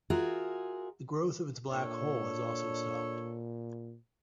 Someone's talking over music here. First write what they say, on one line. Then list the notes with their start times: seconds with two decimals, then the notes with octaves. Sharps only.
The growth of its black hole has also stopped.
0.10 F4 F#4 G#4 A#4 E5
1.71 A#2 D4 A4 C#5